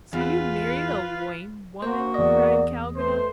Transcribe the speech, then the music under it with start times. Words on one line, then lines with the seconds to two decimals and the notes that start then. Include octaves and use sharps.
"So you married a lame woman?" cried Kalganov.
0.13 E2 F4 B4
1.82 A#3 F#4 C5
2.14 E2 D5 D#5
2.96 A3 B4 C5